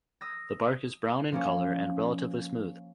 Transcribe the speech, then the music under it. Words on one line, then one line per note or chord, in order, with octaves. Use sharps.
The bark is brown in color and relatively smooth.
D#6 E6 A#6
F3 A#3 C#4